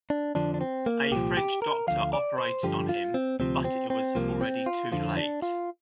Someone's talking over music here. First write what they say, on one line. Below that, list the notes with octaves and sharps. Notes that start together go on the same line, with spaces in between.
A French doctor operated on him, but it was already too late.
D4
F2 D3 F3 D4
D4
C4
A#3
C2 A#2 F3 G4
G4
A#4
D2 D3 F3 F5
D5
C5
G2 D3 F3 G4
F4
C4
D2 C3 F3 C4
C4
C4
C2 C3 F3 A#3
C4
F4
F2 D3 F3 F4
D4
F4